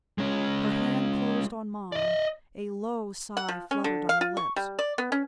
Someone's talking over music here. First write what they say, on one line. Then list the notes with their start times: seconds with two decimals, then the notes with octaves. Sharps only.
Her hand closed on mine, a low sigh fluttered on her lips.
0.18 G#3 C#4
1.92 D5 D#5
3.37 F#5
3.48 F3
3.71 C#4
3.84 D3
4.09 F5
4.21 F4
4.37 C#6
4.56 G3
4.79 D5
4.98 B3
5.12 C#4